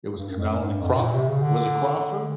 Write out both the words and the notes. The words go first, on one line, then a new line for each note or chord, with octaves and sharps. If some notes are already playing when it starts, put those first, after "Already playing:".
It was Canelo and Crawford? Was it Crawford?
G2
F#2
F2
F#2
G#2
G2
F2
F#2
B2
A#2
C3
C#3
D3